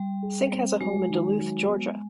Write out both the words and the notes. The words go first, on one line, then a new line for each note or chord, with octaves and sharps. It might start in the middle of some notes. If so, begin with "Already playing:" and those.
Cink has a home in Duluth, Georgia.
Already playing: G3
G#4
C4
F#3 G#3
D#3
F#3
B3